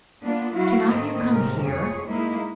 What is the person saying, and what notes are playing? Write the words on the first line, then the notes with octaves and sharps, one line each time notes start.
Cannot you come here?
A#3 B3 D4 F4
F#3 E4 F#4 F5
A2 D#3 A3 A#3 C4 D#5
G#2 C3 F3 G#3 C#4 A#4
F2 G#4 C#5
G#3 A#3 D#4 E4